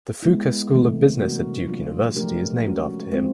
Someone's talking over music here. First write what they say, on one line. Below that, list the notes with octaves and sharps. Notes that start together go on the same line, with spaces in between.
The Fuqua School of Business at Duke University is named after him.
G#3 B3 E4
C3 E3 A3
F#3 B3 D4 F#4 A#4
F#3 A#3 D4 F4
F3 A3 D4 G4 A#4
G#3 C#4 F#4
G#3 C4 F4